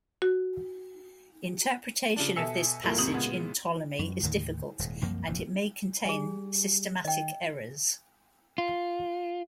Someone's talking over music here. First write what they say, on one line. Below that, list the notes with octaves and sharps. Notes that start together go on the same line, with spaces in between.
Interpretation of this passage in Ptolemy is difficult, and it may contain systematic errors.
F#4
C#3 F3 D4
B2 A4 E5 G#5 E6 C#7
E2 A2 F3 G3 A3 A#3
C2 F2 A2 C3 D#6 F#7
A#2 C#3 G#3 B3
F#2
D#2 A2 D3 D#3
D#1 G#2
C2 F#2 F3 A#3
F1 A#1 F2
G3 G#4 G#5
D#3 D#5 G5
F4